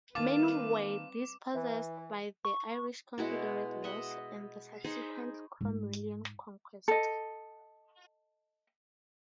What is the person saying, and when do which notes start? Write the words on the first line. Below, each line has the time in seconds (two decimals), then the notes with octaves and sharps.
Many were dispossessed by the Irish Confederate Wars and the subsequent Cromwellian conquest.
0.15 D#3 G3 A#3 C4 F4 B4 A5 D6
1.54 E3
2.45 C#6
3.18 B2 G#3 E4 F#4
3.84 D#5 E5 F#5
4.84 D#4 G#4 C5 B5
5.61 G#2 F4
6.88 A4 D#5